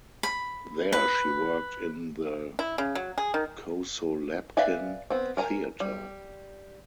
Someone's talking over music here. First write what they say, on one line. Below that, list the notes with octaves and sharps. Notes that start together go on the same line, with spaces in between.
There she worked in the Kosolapkin theater.
B5
B4
E4
C#3
F#3
G#4
D#3
B4 D5 E5 F5 G#5
B3 C4
A#4 G#5 A#5
G3